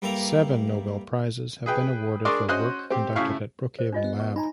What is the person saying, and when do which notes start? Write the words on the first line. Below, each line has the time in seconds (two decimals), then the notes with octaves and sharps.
Seven Nobel prizes have been awarded for work conducted at Brookhaven lab.
0.02 G2 G3 A#3 A4 E5 A#5
1.66 G#4 B4 G5
2.25 D4 G#4 A#4 D5 C6 C#6
2.48 C#4 F#4 C5 D#5 C6 F#6
2.90 C4 G4
3.16 A2 C#3 E4 E5 F5 C#6
3.79 C5
3.93 D4 F4 D#5
4.04 B3
4.20 C#6
4.36 D#4 G#5 A#5 B5